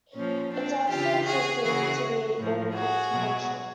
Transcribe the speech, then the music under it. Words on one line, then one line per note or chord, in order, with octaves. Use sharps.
Its absence is seen to be inconsequential.
A#2 F3 C#4
C4 D4
C#3 E3 F4 G4
F#4 G#4
C#3 E3 F#4 G#4
A2 F3
F#4 G#4
B2 F#3